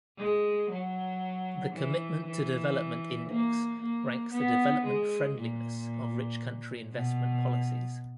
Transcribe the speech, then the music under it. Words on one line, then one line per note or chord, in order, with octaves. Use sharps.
The Commitment to Development Index ranks the "development-friendliness" of rich country investment policies.
G#3
F#3
E3
E3
A#3
A#3
B3
G#3
A#2
B2